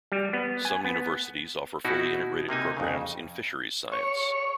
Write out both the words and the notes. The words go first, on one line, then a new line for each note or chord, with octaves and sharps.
Some universities offer fully integrated programs in fisheries science.
G3
B3
G#5
B3
B2 D#4 E4 F#4
C3 A#3 D#4 G#5
F2 C#3
C#5